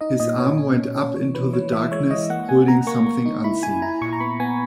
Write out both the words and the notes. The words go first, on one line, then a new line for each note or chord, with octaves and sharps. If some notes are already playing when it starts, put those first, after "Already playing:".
His arm went up into the darkness holding something unseen.
D#4 D#5
A#2 D#5
A#2 C#5
C#4
B2
C#4
E3 C#5
E3 B4
E3 C#5
E3 E5
G#3 C#5
E3 D#5
A#3 F#5
A#3 G#5
C#3 A#5
A#3 C#6
A#3
D#4
E4 B5
E4 G#5
E4 A#5
A#2 C#6
A#5
B3 B5
B3 G#5